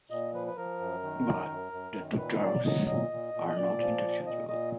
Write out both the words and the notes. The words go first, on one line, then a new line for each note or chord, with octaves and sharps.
But the two terms are not interchangeable.
A#2 D#5
F3 B4
B4
F3 A#4
F#2
D#3
F#2
F#2
F#2
D#3
A#2 B4
D#5
F#3 D5
F#3 D#5
A#2 D#5
A#2
A#2
D#5
A#2 D5
F3
A#2
A#2 D#5
A#2 D#5